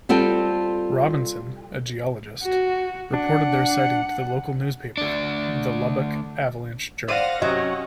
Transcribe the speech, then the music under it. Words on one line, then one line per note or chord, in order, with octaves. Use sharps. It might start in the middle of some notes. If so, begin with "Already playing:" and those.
Robinson, a geologist - reported their sighting to the local newspaper, the "Lubbock Avalanche-Journal".
G3 C4 F4 A4 G5
F#4
D4 F#5
D2 D4
C5 D5 F5 F#5 A#6 D#7
C3 F#3 C#4 D#5 F#5